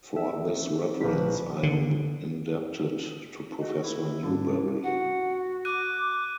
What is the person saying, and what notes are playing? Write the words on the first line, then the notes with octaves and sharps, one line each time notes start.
For this reference I am indebted to Professor Newberry.
D#4 E5
A#1 B4 B6
D3
F#4 G#4 D#5
E4
G#2 G3 C#4 D4
F#4 F#5
D6 F#6 D#7